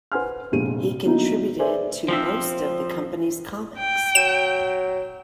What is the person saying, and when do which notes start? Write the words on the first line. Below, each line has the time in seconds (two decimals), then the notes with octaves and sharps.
He contributed to most of the company's comics.
0.12 B4 C5 F#5 G#5 C6 F6
0.52 F1 F2 A#2 D3 G#3 D#7
1.05 D3 F#3 A#3 B3 D#4 E4
1.59 G#4 B4 C5 D5 E5 G#5
2.08 F3 C4 E5
3.78 G5
4.15 F#3 E7